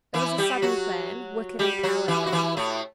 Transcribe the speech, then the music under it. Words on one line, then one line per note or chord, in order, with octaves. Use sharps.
It was a sudden plan, wicked and cowardly.
E3 E4
G3 G4
F#3 F#4
G3 G4
F#3 F#4
E3 E4
F#4
E3 E4
A2 A3